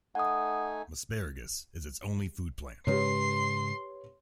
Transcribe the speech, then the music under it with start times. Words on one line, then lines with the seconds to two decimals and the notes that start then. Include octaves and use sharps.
Asparagus is its only food plant.
0.15 A3 D#4 F#5 G#5 D#6
2.87 G#2 C#3 G#3 G4 B4 C#5 C6 C7